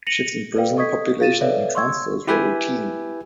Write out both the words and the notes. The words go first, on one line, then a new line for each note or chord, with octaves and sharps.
Shifting prisoner populations and transfers were routine.
A#6 C#7 D#7 F7 F#7
A4 B4 D5 F5 G5
A4 D#5 C#6 D#6 G#6 B6
F4 F5 A6 D#7 E7
A4 B4 C#5 D5 E5 F5
C6 C#6 E6 G#6
E4 G4 B4 E5 G5 G#5